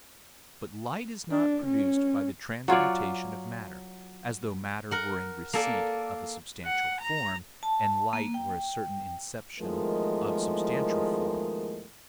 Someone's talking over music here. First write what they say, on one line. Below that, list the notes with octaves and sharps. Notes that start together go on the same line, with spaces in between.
But light is not produced by the transmutation of matter, as though matter were in receipt of a substantial form, and light were a certain inception of substantial form.
D4
C#4
F#3 F4 C#5 D5
A#4 F#5
A#3 A4 D5
F#5
A#5
A5
A#3
G5
E2 D#3 F3 G#3 A3 A#4